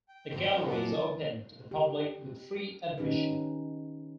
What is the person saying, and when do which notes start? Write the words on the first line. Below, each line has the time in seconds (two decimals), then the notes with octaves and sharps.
The gallery is open to the public with free admission.
0.08 G5
0.32 G2 D#3 F#3 C4 G4
0.43 A#4 C#5 F#5
0.70 F2 F#3 A5 D6
1.71 G4
2.98 D#3 C#4 D#4 G4 G#4 B4